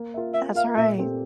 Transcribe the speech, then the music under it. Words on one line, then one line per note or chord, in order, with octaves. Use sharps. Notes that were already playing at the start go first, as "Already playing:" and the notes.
That's right.
Already playing: A#3
F4 A#4 E5
A#3 E5
F4 A#4 E5 F5
A#2 E5
A3 C4 G4